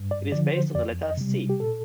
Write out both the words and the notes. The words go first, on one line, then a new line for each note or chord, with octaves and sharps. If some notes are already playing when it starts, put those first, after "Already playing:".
It is based on the letter "c".
Already playing: G2
D5
D3 F3 D5
C5
F2 D5
D#5
C3 G3
G4
A#2 A4